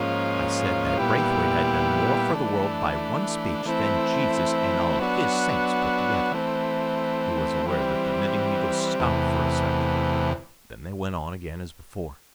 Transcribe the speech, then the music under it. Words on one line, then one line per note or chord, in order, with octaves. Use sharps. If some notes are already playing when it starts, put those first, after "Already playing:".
"I said that Braithwaite had done more for the world by one speech than Jesus and all His saints put together." He was aware that the knitting-needles stopped for a second; then they went on again as before.
Already playing: G#2 F3 A#3 C#4 F4
A#2 G3 B3 E4 G4
E3 A3 D4
E3 A3 C4 E4
F#3 B3 D4 F#4
E3 A3 C4
E3 G3 C4
E2 C3 E3 A3